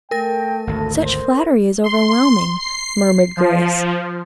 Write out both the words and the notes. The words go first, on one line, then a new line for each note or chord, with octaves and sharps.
"Such flattery is overwhelming," murmured Grace.
A3 A#4 G5 A#6
G#1 D2 A4
C5
C6
C7
F3